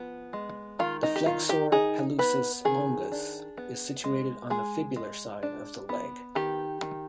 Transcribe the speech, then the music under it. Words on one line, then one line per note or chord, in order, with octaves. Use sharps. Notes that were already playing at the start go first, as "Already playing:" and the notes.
The Flexor hallucis longus is situated on the fibular side of the leg.
Already playing: F3 B3
G#3
D#3 F4
D#4
G4
D#3 F4
G4
D#4 G#4
B3 B4
D#3 G#4
D4
B3
G#3
G#3 G#4
G#3
D4
B3
D#3 G4
D#3